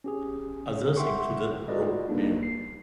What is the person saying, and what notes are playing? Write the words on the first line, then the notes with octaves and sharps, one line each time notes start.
Others included "Rogue Male".
C#4 G4 G#4
E5 F#5 G5 C6 C#6
F4 F#4 A4 B4 D5 D#5
A#3 D4 D#4
C7